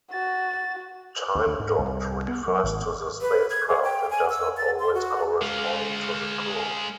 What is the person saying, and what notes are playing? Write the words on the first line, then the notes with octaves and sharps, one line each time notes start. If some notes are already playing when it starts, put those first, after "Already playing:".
"Time docked" refers to the spacecraft and does not always correspond to the crew.
F#4 A6
D2
D2
G#2
C2
B3
F#3
G#1
B4
G#6
G#4
G5
G#5
E6
A6
C6
F#4
G#3 F5